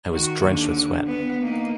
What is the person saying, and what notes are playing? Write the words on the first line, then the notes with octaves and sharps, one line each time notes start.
I was drenched with sweat.
D#3 F#4
D#2 D3
B3
A#3 D#4